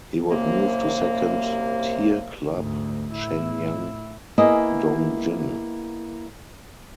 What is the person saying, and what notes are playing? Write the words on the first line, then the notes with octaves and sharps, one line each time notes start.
He would move to second tier club Shenyang Dongjin.
C2 F#2 C3 A#3
D2 G#2
A2 E4
A#3 B3 E4 G#4 D#5